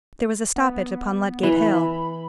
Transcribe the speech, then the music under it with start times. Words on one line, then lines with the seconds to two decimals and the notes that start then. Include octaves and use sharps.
There was a stoppage upon Ludgate Hill.
0.56 B3
1.43 E3 B5